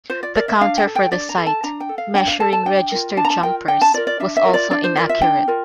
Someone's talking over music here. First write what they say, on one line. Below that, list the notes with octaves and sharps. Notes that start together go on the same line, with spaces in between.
The counter for the site, measuring registered jumpers, was also inaccurate.
F4 C5
D5
A#4 D5
E5
D4 F5
G5
A4
G5
D4 D5
A#5
A4
A5
D4 A#5
G5
A4
F5
D4 G5
F5
A4 A5
A5
D4 G5
F4 A#4
D4 A5
A#5
A5
F4 A#4 G5
D4 G5
A5
F4 A#4 D5
D5
D4 E5
E5
F4 A#4
D5
D4 D5
C5
F4 A#4 D5
E5
D4 G5
F4 A#4